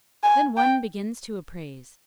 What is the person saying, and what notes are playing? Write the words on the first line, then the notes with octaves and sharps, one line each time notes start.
Then one begins to appraise.
G#5
G5